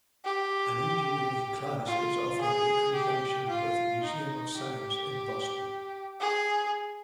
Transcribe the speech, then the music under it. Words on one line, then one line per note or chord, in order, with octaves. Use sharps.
An engineering class is offered in conjunction with the Museum of Science in Boston.
G4
F4
G#4
G4
F4
D#4
G4
G#4